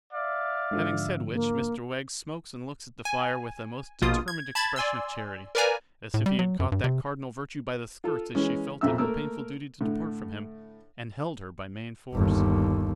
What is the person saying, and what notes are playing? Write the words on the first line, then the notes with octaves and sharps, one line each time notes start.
Having said which, Mr Wegg smokes and looks at the fire with a most determined expression of Charity; as if he had caught that cardinal virtue by the skirts as she felt it her painful duty to depart from him, and held her by main force.
D5 E5 F5
G#2 D3 F3
A#3
G#5
A#1 B2 A#3 F4 D#6
G#6
A5 B5 G#6 A6
D5 G#5 C6 E6
A#4 B4 D5 F5 G#5 A#5
A2
G3
F#3
F#2
G2
C3
F4 A4
E3 G#3 C#4
B1 F2 A#2 E5 E6
A3 A#3 A#4 E6
A2 D3
G1 D#2